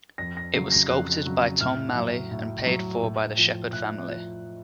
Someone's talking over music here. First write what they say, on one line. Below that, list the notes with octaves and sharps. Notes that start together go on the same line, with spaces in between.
It was sculpted by Tom Maley, and paid for by the Shepherd family.
F2 A#6
A#6
C#3 F#3 C7
A#6
F2 F#6
C#3 F#3
A2 F6
F#3
A2
F#3
A2
F3
A2 F#6
F3